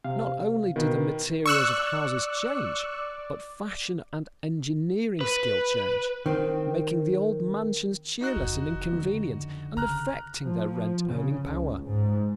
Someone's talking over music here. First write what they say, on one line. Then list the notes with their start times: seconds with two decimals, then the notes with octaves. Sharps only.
Not only do the materials of houses change, but fashion and engineering skill change, making the old mansions cheerless and inconvenient, and affecting their rent-earning power.
0.04 C3 F5
0.76 B2 D#3 B4
1.46 D5 C#6 E6 F#6
5.21 B4
6.26 D#3 C4
8.21 D#4 F#4 F#6
8.36 F1 F2 C#3
8.93 D3
9.77 C#3 A#5 F6 F#6
10.44 F3
11.10 C#3
11.44 C#2
11.84 G#2